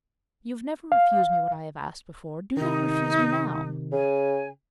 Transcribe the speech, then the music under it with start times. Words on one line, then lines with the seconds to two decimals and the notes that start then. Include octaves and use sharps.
You have never refused me what I have asked before, do not refuse me now.'
0.92 F5
2.57 C3 D#3 D#4
3.92 C#3 G#5